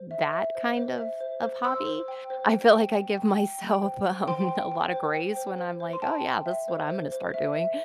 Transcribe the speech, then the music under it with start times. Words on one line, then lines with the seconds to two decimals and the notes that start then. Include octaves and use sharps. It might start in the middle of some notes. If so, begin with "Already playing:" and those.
that kind of of hobby. I feel like I give myself, um, a lotta grace when I'm like, "Oh, yeah, this is what I'm gonna start doing."
Already playing: C5
0.11 E5
0.33 E5
0.55 C5
0.77 C5
0.98 E5
1.20 C5
1.42 C5
1.64 C5 C6 E6
1.87 C5
2.08 G5
2.30 C5
2.52 G5
2.73 G5
2.96 G5
3.17 G5
3.39 G5
3.61 G5
3.83 C5
4.05 G5
4.28 C5 G5 C6
4.49 G5
4.72 G5
4.93 C5
5.14 G5
5.37 C5
5.58 C5
5.80 C5
5.93 C6
6.02 G5 A5
6.25 G5
6.46 E5
6.68 C5
6.90 C5
7.12 C5
7.34 E5
7.56 E5